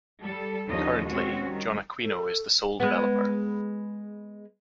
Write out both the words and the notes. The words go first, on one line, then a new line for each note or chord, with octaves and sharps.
Currently, Jon Aquino is the sole developer.
G3 A4
D#2 D3 F3 C#4 D#4 D#5
B2 G#3 C4 C#4 F#4
D#3 G3
A4
G#3 B3